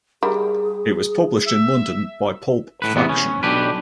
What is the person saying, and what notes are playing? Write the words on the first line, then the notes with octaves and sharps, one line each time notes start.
It was published in London by Pulp Faction.
G3 G#4 A#4
E5
A2 B4
E2 C3 B3
C#4
B1 D4 G4 B4